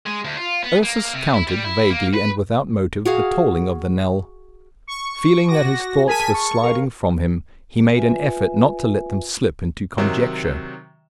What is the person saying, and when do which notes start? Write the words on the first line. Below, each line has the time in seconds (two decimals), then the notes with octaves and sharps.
Ursus counted, vaguely and without motive, the tolling of the knell. Feeling that his thoughts were sliding from him, he made an effort not to let them slip into conjecture.
0.06 G#3
0.24 D2
0.37 F4
0.64 B3
0.83 A#3
1.14 C3
1.34 E4
1.49 G3
1.65 E4
1.90 A#3
2.14 B4
3.05 F#4 G#4 F5
4.87 C#6
5.48 F#4 D6 A#6
6.08 G#4 A#4 G#5 A5 B6 D#7
6.34 C#6
6.63 A#4 F5
7.95 F4 B4 E5 G#5
9.98 C3 D#3 F#3